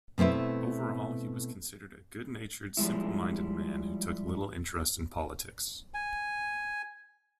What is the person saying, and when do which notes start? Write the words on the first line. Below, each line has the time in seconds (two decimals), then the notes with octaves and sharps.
Overall, he was considered a good-natured, simple-minded man who took little interest in politics.
0.18 B2 A3 C4 E4 B4
2.77 F3 G3 G#3 E4
5.94 G#5